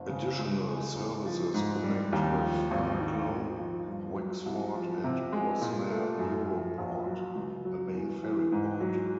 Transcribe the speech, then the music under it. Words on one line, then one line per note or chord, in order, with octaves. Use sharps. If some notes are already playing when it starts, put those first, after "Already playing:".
Additional services connect with Arklow, Wexford and Rosslare Europort, a main ferry port.
Already playing: F#1
C#3
C#2
G#3
E2
F3
G#2
G3
D#2
F3
G#1
D#3
G#1
F3
G2
F#3
C2
F3
C3
G#3
A#2
A3
F#2
F3
A#1
F#3
C#2
F#3
E2
E3
G#2
F#3